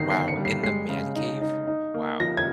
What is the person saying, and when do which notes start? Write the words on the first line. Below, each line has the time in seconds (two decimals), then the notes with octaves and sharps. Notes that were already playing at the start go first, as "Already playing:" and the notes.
Wow! In the man cave? Wow!
Already playing: G1 D#3 A#6 C7
0.10 G1 C7
0.28 C#7
0.37 G3
0.45 C7
0.63 G#3 C7
0.89 C#3
1.15 D#4
1.41 D#4
1.67 D#4
1.94 A#3
2.20 F3 A#6
2.37 G#6